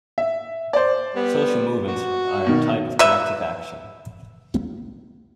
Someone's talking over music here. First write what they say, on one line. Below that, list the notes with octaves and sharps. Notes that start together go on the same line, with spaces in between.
Social movements are a type of collective action.
E5
C5 D5
G3 B3
F#4
B2 D#3
B4 E5